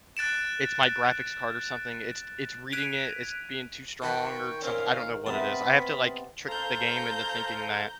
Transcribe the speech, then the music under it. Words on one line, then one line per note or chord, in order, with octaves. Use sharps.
it's my graphics card or something, it's it's reading it, it's being too strong or somethi I don't know what it is, I have to, like, trick the game into thinking that
F#6 A6 D7 E7
F#6 G#6 B6 D7 D#7 F7
D#3 F4 F#4 B4 G5 C#6
A#2 C4 C#4 F5
C3 B3 F4 B4 D#5 A5 B5
A4 C5 F5 A#5 G6